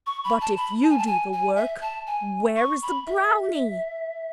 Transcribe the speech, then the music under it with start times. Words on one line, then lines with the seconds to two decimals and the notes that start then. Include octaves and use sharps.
"But if you do the work, where is the brownie?"
0.06 C#6
0.24 B5
0.41 A5
0.57 B5
0.82 A5
0.90 G#5
0.98 A5
1.07 G#5
1.33 G#5
1.56 E5
1.81 A5
2.07 G#5
2.56 C#6
2.82 B5
3.06 E5